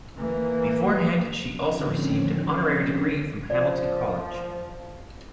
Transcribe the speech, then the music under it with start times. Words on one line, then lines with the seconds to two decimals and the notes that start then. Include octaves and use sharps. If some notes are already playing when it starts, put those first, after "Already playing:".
Beforehand, she also received an honorary degree from Hamilton College.
0.17 E3 A#3
1.50 D3 D#3 F3 C4 C#4
3.50 F3 D5